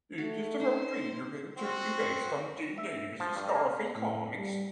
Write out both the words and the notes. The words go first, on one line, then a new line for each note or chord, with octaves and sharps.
It is the first video game to be based on Jim Davis' "Garfield" Comics.
A3 F#4
D#4 C5
C4 F#4
E5
F3
G2
A#3
A2
G3